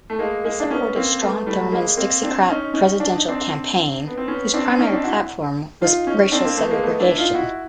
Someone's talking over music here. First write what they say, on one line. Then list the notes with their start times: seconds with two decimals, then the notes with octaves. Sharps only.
He supported Strom Thurmond's Dixiecrat presidential campaign, whose primary platform was racial segregation.
0.10 A3
0.19 G#3 A#3
0.44 G#3 A#3
0.60 D4
0.70 B3 C#4
0.96 A#3 C4
1.21 A3 B3
1.46 G3 A3
1.72 G#3 A#3
1.97 A#3 C4
2.23 C4 D4
2.49 C#4 D#4
2.74 C#4 D#4
3.00 D4
3.14 D#4
3.28 C4 D4
4.07 B3
4.18 C4
4.28 B3 C#4
4.54 C4 D4
4.79 C#4 D#4
4.92 C4 D4
5.04 E4 F#4
5.81 D#4 F4
6.07 C#4 D#4
6.32 C4 D4
6.45 A#3 C4
6.57 A3 B3
6.71 G#3 A#3
6.83 A3 B3
7.00 D4 E4
7.18 D#4 F4
7.34 E4 F#4